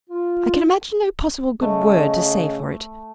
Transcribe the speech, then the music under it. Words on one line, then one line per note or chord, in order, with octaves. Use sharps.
I can imagine no possible good word to say for it.
F4
C#3 A3 D#5